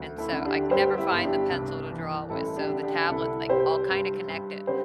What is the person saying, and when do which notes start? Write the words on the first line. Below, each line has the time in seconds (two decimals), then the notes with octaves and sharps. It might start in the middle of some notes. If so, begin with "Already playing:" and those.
And so, I can never find the pencil to draw with. So, the tablet's, like, all kinda connected.
Already playing: D2
0.18 E4 A4
0.32 D3
0.45 D4 G4
0.71 G2 G4 C5
0.93 G4
0.98 E4
1.11 G1
1.24 D4 G4
1.50 C2
1.91 E3
2.30 A1 E4 A4
2.56 D4 G4
2.70 D3
2.83 D4 G4
3.09 C2 E4 A4
3.49 C3 G4 C5
3.89 G2
4.28 G2
4.67 D3 G4 C5